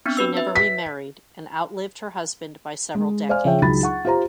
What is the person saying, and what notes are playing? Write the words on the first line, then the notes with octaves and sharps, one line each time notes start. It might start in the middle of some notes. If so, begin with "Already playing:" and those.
She never remarried and outlived her husband by several decades.
B3 C4 D4
F#4 B4 E6
B4 E5
B6
G#3
C5 D5 F5 G#5 F6
C#3 F3 C#5 E5 G5
C#2 F#3 D#4 B5 A6
F#5 C#6
F4 G4 C5 A#5